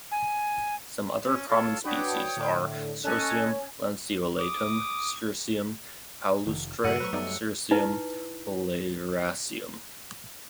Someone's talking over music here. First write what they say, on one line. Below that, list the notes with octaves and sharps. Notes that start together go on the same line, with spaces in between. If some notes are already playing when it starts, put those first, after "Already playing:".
Some other common species are: "Cirsium lanceolatum, Cirsium palustre, Cirsium oleraceum".
G#5
C#4
F4 A4 C#5
D4 F#4 B4 C#5 G5 D#6
A2 D3
C#4 A4 D#5 G#5 F#6
D6 D#6
F1 D#3
G2 C#3 G3 A3 F#5 E6 C#7 D#7
F#3 B4 C5 A#5 C#6 F#6
F#2 F#3 G3 A3 B3 D#4 D5
D#4 E4 B4